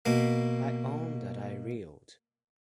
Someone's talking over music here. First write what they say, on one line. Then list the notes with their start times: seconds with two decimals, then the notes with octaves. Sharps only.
I own that I reeled.
0.06 B2 A#3